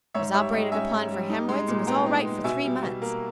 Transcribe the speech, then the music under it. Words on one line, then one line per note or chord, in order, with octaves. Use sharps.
Was operated upon for hemorrhoids and was all right for three months.
G#2 C#5 E5
G3 C#5 E5
G#2 D#5 G5
C#4 E5 G#5
G#2
G3
D#4
G#3
A#2
B3 G5 A#5
D#4
G#3
B2 E5 G#5
G3
B2
A#3